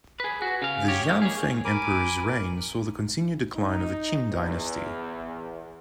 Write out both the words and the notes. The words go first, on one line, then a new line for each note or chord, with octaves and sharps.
The Xianfeng Emperor's reign saw the continued decline of the Qing dynasty.
G#4 B4
F#4
C#3 F5
G4 C#5
G#2 A#3
G#4 C#5
A#4 G#5 B5 D6
D#4
E2